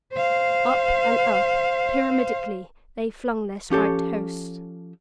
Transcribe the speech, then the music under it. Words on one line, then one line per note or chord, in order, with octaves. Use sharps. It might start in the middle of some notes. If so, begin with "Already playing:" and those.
Up and up, pyramidically, they flung their spiked hosts.
C5 F5
F3 C#4 G4 A4 C#5